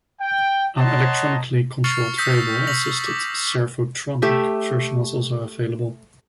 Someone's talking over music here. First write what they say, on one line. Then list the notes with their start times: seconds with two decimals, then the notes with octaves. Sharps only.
An electronically controlled variable assisted 'servotronic' version was also available.
0.20 G5
0.78 C#5 D#5 F#5 A5 A#5 C6
1.84 C#6 F6 A6 C7 C#7 F7
2.18 D#6 E6 G6 A#6 B6
2.67 A#6 B6 F7 F#7
3.06 D6
4.22 A3 G4 E5